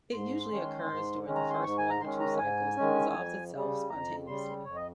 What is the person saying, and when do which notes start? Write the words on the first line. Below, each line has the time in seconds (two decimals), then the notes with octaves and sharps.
It usually occurs during the first one or two cycles and resolves itself spontaneously.
0.13 G#2 C6
0.51 D#3 G#3 C#4
0.88 G#2
1.26 D#3 G#3 C#4
1.36 A#5
1.50 C6
1.63 G#2 C#6
1.78 G#5
1.90 A#5
2.01 D#3 G#3 C#4 C6
2.20 A#5
2.39 G#2 G#5
2.77 D#3 G#3 C#4
3.14 F2
3.52 C#3 G3
3.89 F2 A#5
4.27 C#3 G3 C6
4.65 F2 C#5
4.76 D#5